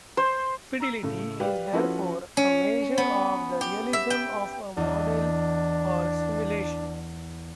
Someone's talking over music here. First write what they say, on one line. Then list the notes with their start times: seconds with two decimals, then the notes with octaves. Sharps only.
Fidelity is therefore a measure of the realism of a model or simulation.
0.17 C5
0.80 A#5 E6
1.03 A2 C#3 A3
1.40 G4 B4 D5 F5
1.73 F3 C#4 E4 F#4 A4 B4
2.37 C#4
2.98 B3
3.61 G4
3.93 E5
4.10 G5
4.77 E2 D4 D#5